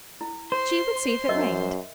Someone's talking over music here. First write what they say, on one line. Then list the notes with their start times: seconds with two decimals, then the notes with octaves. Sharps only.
She would see if it rained.
0.21 E4
0.52 C5 C6
1.29 F#2 A#4 D#5 E5